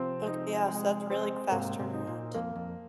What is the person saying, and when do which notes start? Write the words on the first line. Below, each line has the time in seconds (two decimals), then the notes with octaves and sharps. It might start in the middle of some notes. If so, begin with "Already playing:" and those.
Ok yeah, so that's a really fast turnaround.
Already playing: C3 F3 C4
0.27 D#4
0.68 G#3
1.10 C4
1.52 G#2 C3 A#3
1.79 G#2 C3
1.93 D#4
2.07 A#2
2.35 F2 A#3
2.55 F2